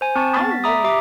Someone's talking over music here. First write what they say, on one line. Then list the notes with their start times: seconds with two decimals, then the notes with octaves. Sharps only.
I really
0.01 C5 G#5
0.15 C4 A5 C#6
0.36 B3 A6
0.51 B6
0.64 D5 E5 A#5 B5 D6 D#6
0.84 G4 E5 D6